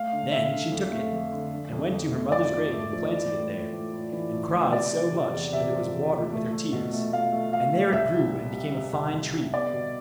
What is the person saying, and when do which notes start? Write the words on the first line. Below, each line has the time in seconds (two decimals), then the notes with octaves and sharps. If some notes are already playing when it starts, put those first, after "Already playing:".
Then she took it, and went to her mother's grave and planted it there; and cried so much that it was watered with her tears; and there it grew and became a fine tree.
Already playing: A3 F5
0.12 D3
0.32 D3 E5
0.52 D3
0.72 F2
0.92 A3
1.12 F2
1.32 D3
1.53 D3
1.72 F2
1.92 F2
2.12 A3
2.32 F3 D5
2.52 F3
2.73 A3
2.93 F3
3.12 E3
3.33 A2
3.53 A2
3.72 A2
3.92 A2
4.13 E3
4.32 A3
4.53 A2
4.73 C3 D5
4.93 F3
5.12 C3
5.33 E2
5.53 C3 E5
5.73 F3
5.93 E2
6.13 F3
6.33 A3
6.52 A3
6.73 B2
6.93 A3
7.13 A3 F5
7.32 A3
7.53 A3 F5
7.73 A3
7.92 C2 E5
8.13 C3
8.32 G3
8.53 G3
8.72 C3
8.93 C2
9.13 C2
9.33 G3
9.54 B3 D5
9.73 B2